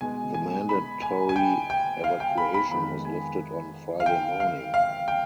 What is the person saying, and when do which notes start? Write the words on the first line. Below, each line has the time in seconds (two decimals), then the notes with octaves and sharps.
The mandatory evacuation was lifted on Friday morning.
0.01 B2 G#3 B3 G#5
0.34 G#5
0.69 B5
1.02 G#5
1.29 G#5
1.36 G5
1.70 G5
2.04 F5
2.20 G5
2.38 B5
2.54 B5
2.71 F2 D#3 G#3 B3 B5
3.05 G#5
4.00 F5
4.06 G5
4.40 F5
4.74 F5
5.08 G5